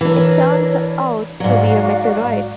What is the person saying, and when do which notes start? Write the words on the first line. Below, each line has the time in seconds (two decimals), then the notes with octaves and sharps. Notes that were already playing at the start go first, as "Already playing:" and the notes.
It turned out to be a meteorite.
0.01 E3 D4 A#4 C#5
1.40 G#2 F#3 F#4 D5 F5